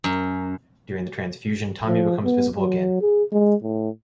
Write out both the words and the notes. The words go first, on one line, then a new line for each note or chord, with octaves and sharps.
During the transfusion Tommy becomes visible again.
F#2
F3
B3
F#3
G#4
G#3
A2